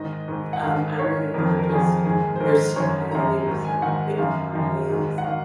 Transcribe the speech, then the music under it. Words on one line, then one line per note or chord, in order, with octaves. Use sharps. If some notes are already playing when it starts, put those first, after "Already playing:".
Um, I remember just, um, their style. They were such good guys, and
Already playing: G#2 D#3 D#5
G#2 D#3
F#5
G#2 D#3 F5
G#2 D#3 C#5
F2 D#3 A#4
A#4
F2 D#3 G#4
G#2 D#3 G#4
C5
G#2 D#3 A#4
F#2 D#3 C#5
F#2 D#3 A#5
G#2 D#3
G#5
G#2 D#3 F#5
F#2 D#3 F5
F#2 D#3
G#2 D#3
F#5
D#3 F5